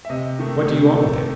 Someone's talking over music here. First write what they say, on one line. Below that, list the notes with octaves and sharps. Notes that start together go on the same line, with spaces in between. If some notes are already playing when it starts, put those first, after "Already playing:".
"What do you want with him?"
E5
C3 D#5
D#3 A3
C3
D#3 A3